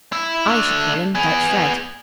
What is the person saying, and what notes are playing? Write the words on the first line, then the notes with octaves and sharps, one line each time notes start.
"I should call him Dutch Fred."
E4
A3 D4
B3 G#4